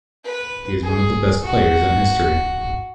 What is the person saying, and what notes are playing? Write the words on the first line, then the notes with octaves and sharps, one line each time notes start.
He is one of the best players in history.
B4
G#4
F#4